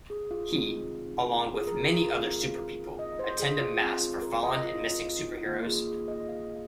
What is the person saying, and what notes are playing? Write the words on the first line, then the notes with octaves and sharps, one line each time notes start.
He, along with many other superpeople, attend a mass for fallen and missing superheroes.
G#4
F4
C3 D#3 G#3 C4 D#4
F4
G#4
A#4
G#4
F4
D#3 G#3 C4 F5
D#5
C5
G#4
F4
D#3 G#3 C4 F4
F4
A#4
D#5
F4
F4
D#4
D#3 A#3 F4
G#4
D#5
F5